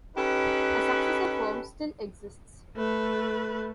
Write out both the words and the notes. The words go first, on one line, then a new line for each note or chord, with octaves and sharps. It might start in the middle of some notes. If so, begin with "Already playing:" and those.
A successor firm still exists.
C#4 D#4 G4 A4 B4
A3 B4